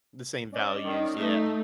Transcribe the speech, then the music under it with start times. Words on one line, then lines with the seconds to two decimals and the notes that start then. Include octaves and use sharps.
The same values. Yeah.
0.51 C#4 D5 D#5
0.84 D#3
1.16 A3 D#4